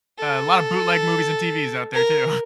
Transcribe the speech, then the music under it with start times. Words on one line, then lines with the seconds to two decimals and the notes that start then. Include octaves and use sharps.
a lotta bootleg movies and TVs out there too.
0.19 A4
1.93 A#4